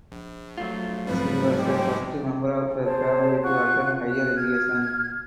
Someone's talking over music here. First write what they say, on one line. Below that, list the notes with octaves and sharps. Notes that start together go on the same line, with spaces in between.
She was the first member of her family to attend higher education.
A#1
F#3 A3 F4
F2 G#2 F3 G3 B4
G#3 G4
G#4 C5 C#5 A5
F4 F#5 C#6 F#6
F4 F#6
F6 G#6